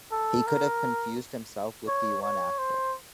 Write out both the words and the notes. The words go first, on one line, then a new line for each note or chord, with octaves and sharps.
He could have confused himself with the one after.
A4
A#4
C#5
C#5
C5